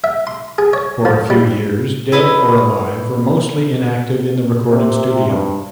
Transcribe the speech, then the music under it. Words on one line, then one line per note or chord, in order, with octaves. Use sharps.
For a few years, Dead or Alive were mostly inactive in the recording studio.
E5
C6
G#4
C#5
F3
G3
E4 B4 D#5 B5
C3
G2